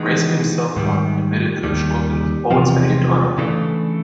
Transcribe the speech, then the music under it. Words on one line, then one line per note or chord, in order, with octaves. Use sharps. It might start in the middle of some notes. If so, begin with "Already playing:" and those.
Reiske himself, however, admitted that Schultens always behaved honourably to him.
Already playing: E3 G#3 B3 D#4
G#2 D#3 G3
D#2 D#3 G3
E2 C3 F3
C#3 E3 A3 D4